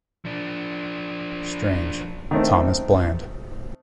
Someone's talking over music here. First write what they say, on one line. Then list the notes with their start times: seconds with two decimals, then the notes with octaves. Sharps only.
Strange, Thomas Bland.
0.25 F3 D4
2.31 D#3 A3 C4